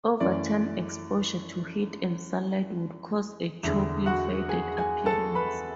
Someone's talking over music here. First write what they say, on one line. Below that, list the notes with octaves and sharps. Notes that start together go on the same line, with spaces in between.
Over time exposure to heat and sunlight would cause a chalky faded appearance.
F#2 E3 A3 D5
E2 D3 G#3 E5
F#4 F#5
G#4 G#5
G#4 G#5
A4 A5
B4 B5